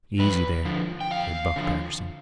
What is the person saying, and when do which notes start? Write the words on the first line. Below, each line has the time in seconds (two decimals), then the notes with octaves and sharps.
"Easy there!" said Buck Patterson.
0.19 F2 B4
0.65 D3 F3
1.01 G5
1.11 F2 F5
1.56 D3 F3